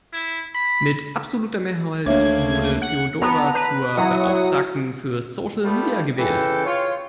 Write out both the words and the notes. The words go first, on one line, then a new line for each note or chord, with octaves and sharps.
Mit absoluter Mehrheit wurde Feodora zur Beauftragten für Social Media gewählt.
E4
B5
D2 A3 A#3 D4 C#5 E5 G#6
F#5
B3 A5 A#5
B4
F#3 E4 F#5 D#6
G3 A3 B3 F4
C#3 E3 A4 G5
F4 C#5